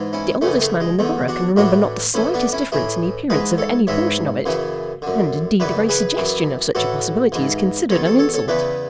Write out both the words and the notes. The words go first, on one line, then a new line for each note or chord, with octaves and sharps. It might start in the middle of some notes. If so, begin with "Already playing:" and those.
The oldest man in the borough can remember not the slightest difference in the appearance of any portion of it; and, indeed, the very suggestion of such a possibility is considered an insult.
Already playing: G#2 E3
C#4 E4
F#2 C#3 E3 A3 C#4
A3
G#3
E2 D3 A3
D4 F#4
A2 E3 D4 F#4
A2 E3 C#4 E4
B3 D4
C#4 E4
A2 E3 E4 G#4
G#2 E3 G#4 B4
A4 C#5
G#2 E3 C#5 E5
F#2 C#3 E3
F#2 D3
F#2 C#3 E3 B4 D5
G#4 B4
F#2 E3
A2 E3 F#4 A4
G#2 E3
E2 B2 A4 C#5
A4 C#5
A4 C#5
A4 C#5
E2 C#3 E3 B4 D5